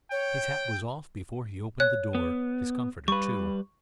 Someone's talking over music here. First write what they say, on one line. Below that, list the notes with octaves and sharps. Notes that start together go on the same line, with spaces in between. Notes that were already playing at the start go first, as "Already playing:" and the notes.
His hat was off, before he opened the door; his comforter too.
C#5 G5
C#5 F#6
B3
G3 B4 C#6